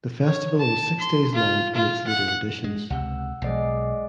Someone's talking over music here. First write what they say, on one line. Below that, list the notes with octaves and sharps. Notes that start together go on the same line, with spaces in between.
The festival was six days long in its later editions.
C#5
A5
C6
F4
F4
F#5
G#3
C#2 C3 F#5 E6
B1 G#3 D5 C7